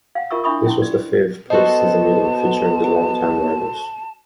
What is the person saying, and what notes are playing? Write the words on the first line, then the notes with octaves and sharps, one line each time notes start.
This was the fifth postseason meeting featuring the long time rivals.
F5 F#5
F4 A#4 E5 C#6 E6
D4 E4 E5 B5 C#6 D#6
C#4 E4 C6
D5
B3 F#4 A4 C5 D#5 A5